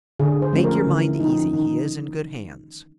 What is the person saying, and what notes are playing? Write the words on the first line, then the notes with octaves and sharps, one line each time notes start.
"Make your mind easy, he is in good hands."
D3 G#4
C5
F3 A3 C#4
A#4
D3 E4
E4
F3 A3 C#4 D#4
D#3 D#4